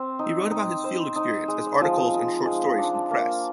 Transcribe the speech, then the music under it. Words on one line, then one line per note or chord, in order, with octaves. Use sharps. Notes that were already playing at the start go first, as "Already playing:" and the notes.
He wrote about his field experience as articles and short stories in the press.
Already playing: C4
D#4
D#4
C5
D#4
G#3
F3
D#4
G#3
D4
A#3